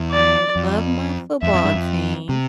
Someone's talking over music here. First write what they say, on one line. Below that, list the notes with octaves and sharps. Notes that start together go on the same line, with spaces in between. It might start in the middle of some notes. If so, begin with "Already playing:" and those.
I love my football team.
Already playing: E2
D5
F2
F2 E5
F2
G2
F2
C3